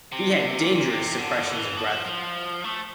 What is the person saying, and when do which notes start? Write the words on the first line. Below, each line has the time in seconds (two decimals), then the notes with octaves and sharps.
He had dangerous suppressions of breath.
0.12 C3
0.31 D3
0.46 C3
0.61 A#2
0.75 A#2
0.89 C3
1.18 D3
1.37 F3
1.48 E3
1.77 F3
2.05 F3
2.64 A3